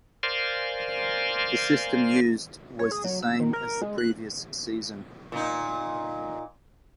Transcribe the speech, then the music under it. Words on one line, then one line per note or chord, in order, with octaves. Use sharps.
The system used was the same as the previous season.
A#4 C5 D5 F5 G#5 C6
C#5
G#4
F#3
E6
D#3
A#4
G#3
F#6
A#2 D#4